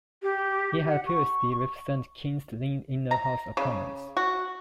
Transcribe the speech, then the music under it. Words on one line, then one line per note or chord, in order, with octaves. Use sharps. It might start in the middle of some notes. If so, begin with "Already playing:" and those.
He had previously represented King's Lynn in the House of Commons.
G4
F#5
C#6
A#5
C#3
F#4